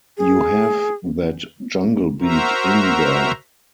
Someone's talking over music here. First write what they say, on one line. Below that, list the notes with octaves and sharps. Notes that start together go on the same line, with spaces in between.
You have that jungle beat in there.
G#4
F#4 A#4 C5 E5 A#5